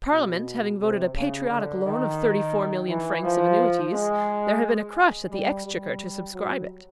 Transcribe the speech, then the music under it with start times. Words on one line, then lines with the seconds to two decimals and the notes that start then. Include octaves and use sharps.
Parliament having voted a patriotic loan of thirty-four million francs of annuities, there had been a crush at the Exchequer to subscribe it.
0.11 B2
0.80 C3
1.15 C#3
1.49 D3
1.84 D#3
2.88 E3
3.23 F3
3.92 G#3
5.31 G3
5.65 G3
6.34 F#3